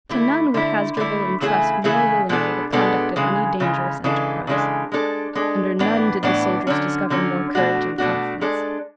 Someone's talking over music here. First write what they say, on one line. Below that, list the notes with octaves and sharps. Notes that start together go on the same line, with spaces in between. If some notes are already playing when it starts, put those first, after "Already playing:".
To none would Hasdrubal entrust more willingly the conduct of any dangerous enterprize; under none did the soldiers discover more courage and confidence.
D3 A3 E4
D3 A3 E4
D3 A3 E4
C#3 E3 A3 E4 G#4
C#3 E3 A3 E4 G#4
B2 G#3 B3 D4 A4
B2 G#3 B3 D4 A4
C#3 E3 G#3
C#3 E3 G#3
C#3 E3 G#3 D4 A4
C#3 E3 G#3 D4 A4
G#3 D4 A4
G#3 D4 A4
A2 E3 B3 D4
A2 E3 B3 D4
D3 F#3 C#4
D3 F#3 C#4
B2 A3 D4 F#4
B2 A3 D4 F#4
G#3 D4 A4